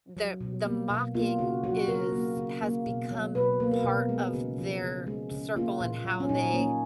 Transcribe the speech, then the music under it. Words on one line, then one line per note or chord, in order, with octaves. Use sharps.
the the mocking is has become part of their circle and how they
F#3
B2
A#3
B2
A#3 F4
C#3 F#4
F#3 F#4
C#3 A#4
A#3
C#3
A#3
B2
F#3
B2 B4
A#3
A#4
B2
G#3
C#3
F3
C#3
G#3
C#3
A#3 F4
A#2
F#3
C#4
A#2 D#4
A#3 C#4